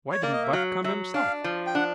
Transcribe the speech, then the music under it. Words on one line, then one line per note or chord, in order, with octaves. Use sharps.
"Why didn't Buck come himself?"
C#5
A#3 D5
D#5
E5
F#3 F5
F#3 E5
D4 F5
F3
G5
D4 F#5